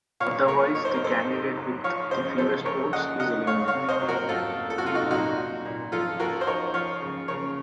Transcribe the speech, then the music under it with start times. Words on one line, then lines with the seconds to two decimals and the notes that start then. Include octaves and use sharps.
Otherwise, the candidate with the fewest votes is eliminated.
0.20 A#2 C#5 F5
0.48 A3 A#4 C#5
0.75 D#4 C#5
0.85 C5
0.94 A#4
1.02 D#4 A4 C5
1.29 D#4
1.57 F#3
1.84 F3 C#5 F5
2.11 C#3 C5 D#5
2.38 F3 A4 C5
2.65 A3 A#4 C#5
2.93 C#3 D#5 F#5
3.20 D#4 D#5 F#5
3.47 A3 C#5 F5
3.68 C#5 F5
3.75 C3
3.89 C5 D#5
4.02 F#3
4.08 F#4 A#4
4.29 A3 F4 A4
4.56 A3
4.70 A4
4.78 F#4
4.83 C3 F4
4.95 D#4 F#4
5.11 A#2 D#4 F#4
5.38 D#4
5.65 A#2
5.92 F3 F4 A4
6.19 F3 F#4 A#4
6.41 C5
6.47 D#4 A#4 C#5
6.74 F3 C#5 F5
7.01 C#3
7.28 C#3 A#4 C#5